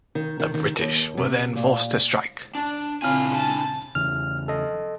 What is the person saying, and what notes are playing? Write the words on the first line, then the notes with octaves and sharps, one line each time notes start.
The British were then forced to strike.
D#3
D#3
D#3
D#2
C3
A#2
D4
A#2 C#3 C4 D4 E4 F4 G#5
A5
E2 C#3 F6
A4 D#5